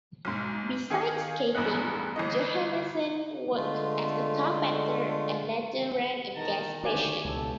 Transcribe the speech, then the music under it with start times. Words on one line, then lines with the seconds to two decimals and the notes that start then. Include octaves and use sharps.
Beside skating, Johannesen worked as a carpenter and later ran a gas station.
0.25 B1 G#2
0.90 D#3 G#4 F5 G#5 C#7
1.55 A1 E2 G2 B3 F#6
2.16 G1 E3 D#5
3.55 D3 G#3 A3 F4
6.35 E2 B2 D#3 A5 A#5
6.83 D2 D#3 F#4 G4 C#5 D5 G#5
7.25 C#2 B2 E3 A4